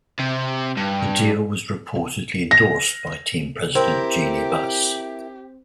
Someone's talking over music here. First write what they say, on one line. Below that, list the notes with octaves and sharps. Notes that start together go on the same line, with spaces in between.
The deal was reportedly endorsed by team president Jeanie Buss.
C3
G2
A#6
C4 E4 G4 A#4 C5